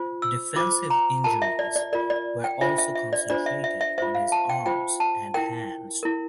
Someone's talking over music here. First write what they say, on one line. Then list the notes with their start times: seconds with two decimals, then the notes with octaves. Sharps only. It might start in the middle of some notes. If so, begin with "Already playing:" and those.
Defensive injuries were also concentrated on his arms and hands.
Already playing: F4 C5
0.22 E6
0.56 F4 C5 D6
0.90 A#5
1.24 F4 A#4 A5
1.42 E5
1.59 D5
1.76 D5
1.93 F4 A#4 D5
2.10 D5
2.44 G5
2.61 D4 F4 C5 E5
2.78 E5
2.95 E5
3.13 D5
3.30 D4 F4 C5 D5
3.46 E5
3.64 E5
3.81 E5
3.98 F4 C5 E5
4.15 F5
4.32 A5
4.50 G5
4.66 F4 C5 G5
5.00 A5
5.34 E4 A#4 G5
6.03 E4 A#4